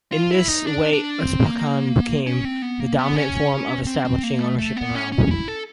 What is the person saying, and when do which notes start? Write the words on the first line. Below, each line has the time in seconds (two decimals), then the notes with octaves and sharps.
In this way usucapion became the dominant form of establishing ownership in Rome.
0.12 F4
0.31 E4
0.48 D#4
0.67 D4
0.93 D4
1.20 C4
1.46 A#3
2.27 C#4
2.45 C4
2.62 B3
2.80 A#3
2.99 B3
3.16 C#4
3.87 C4
4.05 C4
4.23 A#3
4.40 A3
4.58 A3
4.76 B3
4.95 C#4
5.12 C#4
5.31 E4
5.48 A4